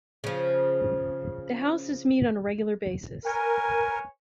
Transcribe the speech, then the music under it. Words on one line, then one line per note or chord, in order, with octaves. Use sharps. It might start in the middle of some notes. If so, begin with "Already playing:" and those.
The houses meet on a regular basis.
C#3 F3
A#4 B4 C#5 G#5